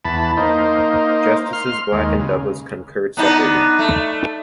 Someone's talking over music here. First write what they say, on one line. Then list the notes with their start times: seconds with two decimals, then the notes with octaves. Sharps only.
Justices Black and Douglas concurred separately.
0.05 E2 A5 B5
0.37 A#3 D#4 C5
1.53 C6 F6
1.92 D#2 G#3
2.19 C#3
3.17 B3 D4 D#4
3.79 A3